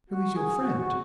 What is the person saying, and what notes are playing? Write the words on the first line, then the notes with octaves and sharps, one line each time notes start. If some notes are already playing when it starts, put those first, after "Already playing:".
"Who is your friend?"
F#4
G#4
F#4
F#4